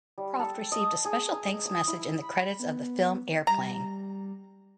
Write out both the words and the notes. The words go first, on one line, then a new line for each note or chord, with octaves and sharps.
Proft received a special thanks message in the credits of the film Airplane!
G3
A4
D#5
G#4
A#5
D#5
D#6
E4
B5
B3
G3 A#5